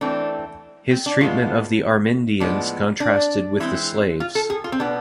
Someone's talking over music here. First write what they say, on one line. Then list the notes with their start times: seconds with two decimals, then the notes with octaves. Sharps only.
His treatment of the Amerindians contrasted with the slaves.
0.01 E3 A3 C4 D4
0.91 C4
1.06 D4
1.21 A2 G#3 B3 F4
2.40 A2 F3 G#3 B3 D4
3.00 D4
3.60 E3 G#3 C4 E4
4.20 F4
4.35 A4
4.50 G#4
4.64 F4
4.72 C4
4.80 B2 B3 D4